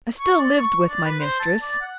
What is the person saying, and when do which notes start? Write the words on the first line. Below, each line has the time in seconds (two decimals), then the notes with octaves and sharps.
I still lived with my mistress.
0.19 C#6
0.38 D5
0.58 C#6
0.88 D5
1.05 B4
1.20 C5
1.39 A5
1.62 D5
1.81 F#5